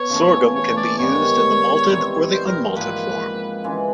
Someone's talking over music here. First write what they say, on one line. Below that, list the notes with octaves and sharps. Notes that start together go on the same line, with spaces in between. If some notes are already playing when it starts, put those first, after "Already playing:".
Sorghum can be used in the malted or the un-malted form.
Already playing: B3 C#5
C#3 E3 A3
C#5
D5
G#2 D#3 G3 B3 C#5
E3 G3 C4 D#4
C5
A#4
G#2 F3 A#3 B4
C#3 E3 G#3